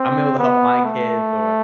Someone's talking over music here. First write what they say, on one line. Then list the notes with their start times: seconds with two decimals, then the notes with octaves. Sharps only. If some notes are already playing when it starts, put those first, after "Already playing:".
I'm able to help my kids or,
Already playing: C4
0.39 B3
0.85 A3